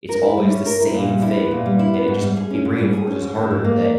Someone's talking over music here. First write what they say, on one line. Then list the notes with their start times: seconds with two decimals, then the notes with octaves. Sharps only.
It's always the same thing, and it just ch it reinforces harder that
0.09 A#4
0.23 E4
0.38 G3
0.52 C#4
0.66 A#4
0.80 E4
0.94 A#2
1.09 G3
1.22 E4
1.36 B3
1.51 A#2
1.66 G3
1.79 E4
1.93 B3
2.08 G#2
2.22 G3
2.37 G#4
2.50 C#4
2.65 G#2
2.78 G3
2.93 G#4
3.07 C#4
3.21 G#2
3.35 D#3
3.51 G#2
3.64 A#3